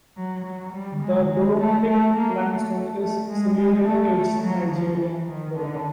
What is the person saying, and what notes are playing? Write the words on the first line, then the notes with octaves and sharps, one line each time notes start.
The dolomitic limestone is Silurian aged Niagaran Dolomite.
F#3
F#3
G3
G#3
G#3
A3
A3
A#3
A3
A3
G#3
G#3
A3
A3
F#3
F3
E3
D#3
D3